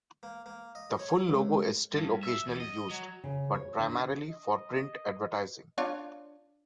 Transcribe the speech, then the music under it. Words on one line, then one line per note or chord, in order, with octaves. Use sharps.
The full logo is still occasionally used, but primarily for print advertising.
A#3
A#3
D#5
C#5
C#2
G2
E5
E2
D#5
F#3
C#3
C#5
D3
D#5
D4 F4 C#5